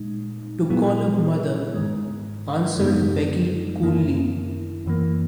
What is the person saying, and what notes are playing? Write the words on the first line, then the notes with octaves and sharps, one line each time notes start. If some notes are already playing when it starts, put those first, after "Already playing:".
"To call up mother," answered Becky coolly.
Already playing: A#2 G#3 D#4
A#2 F#3 B3 E4 G#4
G#2 D#3 G#3
F#2 C#3 G#3 B3 D#4
F#2 D#3 A#3 E4
F#2 E3 A#3